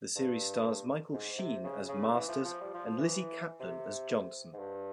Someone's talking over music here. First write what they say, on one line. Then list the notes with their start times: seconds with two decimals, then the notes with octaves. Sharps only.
The series stars Michael Sheen as Masters and Lizzy Caplan as Johnson.
0.16 G2
1.14 G#2
1.38 C3
1.64 C#3
1.88 C#3
2.13 E3
2.28 F3
2.45 F3
2.61 G3
2.74 F3
2.86 F3
2.98 E3
3.60 C3
4.53 G#2
4.59 G2